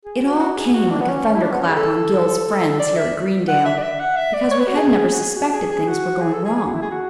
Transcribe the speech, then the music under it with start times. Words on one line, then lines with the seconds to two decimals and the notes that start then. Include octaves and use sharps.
It all came like a thunderclap on Gil's friends here at Greendale, because we hadn't ever suspected things were going wrong.
0.05 G#4
0.23 F#4
0.40 F#4
0.57 G#4
0.74 F#4
0.91 D4
1.01 B3
1.08 C#4
1.35 E4
1.43 D4
1.52 B3
1.60 C#4
1.69 G#4
1.76 A4
2.80 D5
2.96 E5
3.48 F#5
3.66 E5
3.78 D5
3.83 E5
4.00 F#5
4.17 E5
4.34 D5
4.51 C#5
4.60 B4
4.68 F#4
4.76 G#4
5.14 F#4
5.20 G#4
5.37 F#4
5.54 G#4
5.71 G#4
5.88 F#4
6.22 G#4
6.33 A4
6.45 G#4
6.56 G#4
6.65 F#4
6.74 E4
6.82 G#4
6.91 F#4